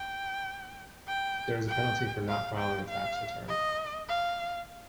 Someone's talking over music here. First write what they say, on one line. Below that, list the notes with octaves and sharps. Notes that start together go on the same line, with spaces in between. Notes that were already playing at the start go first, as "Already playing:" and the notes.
There is a penalty for not filing a tax return.
Already playing: G5
G5
G5
F5
G5
F5
D#5
F5